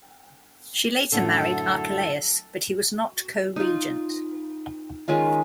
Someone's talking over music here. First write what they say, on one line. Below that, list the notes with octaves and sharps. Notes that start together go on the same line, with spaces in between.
She later married Archelaus, but he was not co-regent.
F#2 A2 D3 A4
D#4 F4
D#3 G#3 C#4 F4